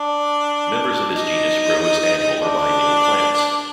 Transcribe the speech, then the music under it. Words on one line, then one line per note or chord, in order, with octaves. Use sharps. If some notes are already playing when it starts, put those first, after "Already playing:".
Members of this genus grow as annual or biennial plants.
Already playing: D4
D#4
D4